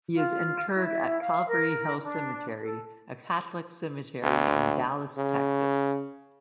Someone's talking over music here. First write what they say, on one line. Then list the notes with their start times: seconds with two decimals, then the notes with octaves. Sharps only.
He is interred at Calvary Hill Cemetery, a Catholic cemetery in Dallas, Texas.
0.14 F4
0.73 E4
1.21 F5
1.47 A#4
2.02 D4
2.62 A4
4.23 D2
5.18 C#3